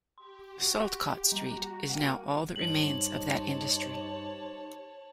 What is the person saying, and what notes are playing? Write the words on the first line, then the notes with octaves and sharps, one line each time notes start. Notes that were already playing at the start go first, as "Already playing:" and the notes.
"Saltcote Street" is now all that remains of that industry.
G4 C6
F#4
G3 F#4 A#5
A#3 F#5 G5
G2 D#4 G4 C5 C#5 A5 F#7